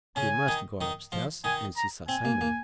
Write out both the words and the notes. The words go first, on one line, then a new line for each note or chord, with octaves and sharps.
We must go upstairs and see Sir Simon.
C#3 C#4 G#5
D#3 D#4
D#3 D#4
F3 F4
D#3 D#4 G#5
A#5
C4 G#5
A#3
A#3